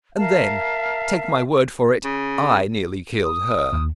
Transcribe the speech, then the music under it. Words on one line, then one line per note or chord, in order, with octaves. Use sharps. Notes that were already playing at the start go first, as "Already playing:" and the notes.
And then, take my word for it, I nearly killed her.
A#4 E5 F5 A5
C#3
D#6
D#2